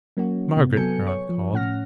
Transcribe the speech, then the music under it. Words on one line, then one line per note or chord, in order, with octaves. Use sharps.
"Margaret!" her aunt called.
F#3 A#3 C#4 F#4
C3 B3
F#3 B3 A4 G#5 G6 C#7
C#5 C#6
F3
A2 C#4 F#5 F6 A#6